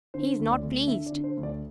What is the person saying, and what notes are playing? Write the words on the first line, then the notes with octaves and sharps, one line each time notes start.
He's not pleased.'
D3 C5
D2
D5
D2
D3 E5
D5
D3
C5
D2
D5